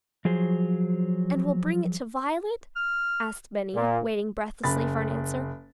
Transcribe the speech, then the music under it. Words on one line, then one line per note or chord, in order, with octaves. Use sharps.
"And we'll bring it to Violet?" asked Benny, waiting breathlessly for an answer.
F3 F#3 G#4 C5
F6
A#2
F#1 B5 A6